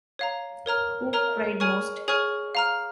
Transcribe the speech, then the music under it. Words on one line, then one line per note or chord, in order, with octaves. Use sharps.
Who cried most?
C#5 F5 A#5
A#4 C#5 A#5 F6
A#4 C#5 A#5 F6
G#4 C#5 G#5 C#6 F6
G#4 C#5 G#5 C#6 F6
F5 A#5 F6